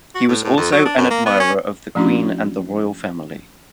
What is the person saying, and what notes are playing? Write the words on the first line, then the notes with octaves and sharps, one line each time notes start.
He was also an admirer of the Queen and the Royal Family.
F#4
A2
A2
F2
F#3
D4
F#2
A#3
B3
C#4
F3 A3 C#4 D4 E4 F#4